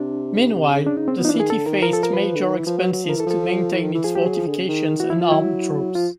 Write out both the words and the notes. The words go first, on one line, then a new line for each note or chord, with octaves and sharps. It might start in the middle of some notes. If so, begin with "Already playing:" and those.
Meanwhile, the city faced major expenses to maintain its fortifications and armed troops.
Already playing: C3 D4
C3
C#3
D4
D#4
C4
F#3 B3
F3 D#4
E3 D4
D#3 G#4
D3 A4
D#3 A#4
F3 A#4
A4
A#4
B4
D3
D#3
E3
F3
F#3
F#3
F3
A#4
E3 A4
F3 A4
E3
D#3
E3
F3 G#4
G4
F#3
G#4
F3
D3
C#3
D#3
E3 F#4
E4
F3
F4
F#3 E4
F3 F4